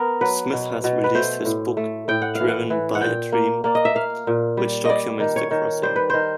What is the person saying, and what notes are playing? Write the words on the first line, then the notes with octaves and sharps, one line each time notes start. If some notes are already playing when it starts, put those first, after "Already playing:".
Smith has released his book, "Driven by a Dream", which documents the crossing.
Already playing: B3 A#4
F#3 B4
B2
B2
B4
A3 C5
A2
A3
A2 G5
F#5
E3 F5
F#5
E3
F#5
A#2 G5
A#3
A#3 D5
D#5
E5
A#3 F5
A#2
G3
G3 D5 D#5
D#3
C#5
D#3
G3 C5
B4
D#3 C5